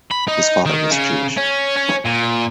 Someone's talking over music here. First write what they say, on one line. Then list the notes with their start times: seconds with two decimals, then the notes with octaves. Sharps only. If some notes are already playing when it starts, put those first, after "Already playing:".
His father was Jewish.
0.11 B5
0.28 D#4
0.66 D#3
0.91 C#3
1.37 C#4
1.77 C#4
2.06 A#2